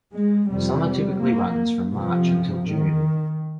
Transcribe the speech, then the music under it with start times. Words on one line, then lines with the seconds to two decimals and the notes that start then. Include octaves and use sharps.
Summer typically runs from March until June.
0.13 G#3
0.49 F2 C3 G3
1.21 A#3
1.93 F2 C3 F3
2.65 D#3